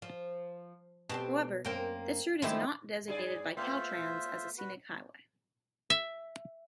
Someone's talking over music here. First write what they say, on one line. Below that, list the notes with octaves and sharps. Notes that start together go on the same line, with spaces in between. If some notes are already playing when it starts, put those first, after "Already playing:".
However, this route is not designated by Caltrans as a scenic highway.
F3
B2 C4 G4 A4
F#2 A#3 C4 A#4 G5
D#3 F3 G#3 A3 E4 G4
G2 G#4 D5
A3 B3 F4 C5 E5
F#4 B4
E5